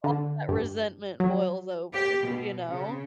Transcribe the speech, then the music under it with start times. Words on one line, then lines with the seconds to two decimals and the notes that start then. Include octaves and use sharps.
all that resentment boils over, you know.
0.04 D3
0.49 G2
1.20 F#3
1.93 G4
2.26 B2
2.68 C#3